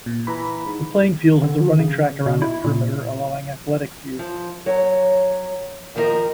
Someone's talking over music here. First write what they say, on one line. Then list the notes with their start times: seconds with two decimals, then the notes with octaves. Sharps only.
The playing field has a running track around its perimeter allowing athletics use.
0.06 A#2
0.27 E3 A#5 B5
0.66 G#2
1.44 D3
1.79 C#3
2.26 B2
2.42 E4
2.64 A#2
4.19 F3
4.66 F#3 C#5
5.95 F2 D#3 F3 C#4 A#4 D#5